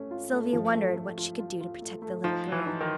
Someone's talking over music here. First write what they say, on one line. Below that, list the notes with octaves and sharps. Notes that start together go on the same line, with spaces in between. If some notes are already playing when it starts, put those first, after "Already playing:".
Sylvia wondered what she could do to protect the little girl.
Already playing: A3 C#4
F4
A3
F3
A3
A3
F4
F4
F4
A3
A3
F3 D#4
F#3
E3
D#4
D#3